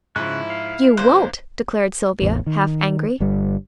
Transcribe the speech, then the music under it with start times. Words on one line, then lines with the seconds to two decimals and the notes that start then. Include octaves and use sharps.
"You won't!" declared Sylvia, half angrily.
0.16 G#2 C#3 F3 E4 C#6 F#6
0.50 F5
0.97 G1 A#3 C5 F#6
2.22 A1 E2
2.47 D#3
3.20 G1 D3 G3